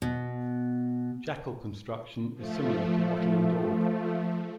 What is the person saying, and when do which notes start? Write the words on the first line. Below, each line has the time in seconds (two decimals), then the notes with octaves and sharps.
Jacal construction is similar to wattle and daub.
0.02 B2
2.34 F3 A3